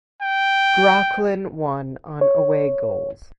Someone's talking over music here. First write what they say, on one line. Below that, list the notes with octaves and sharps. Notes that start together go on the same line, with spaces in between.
Groclin won on away goals.
G5
C#5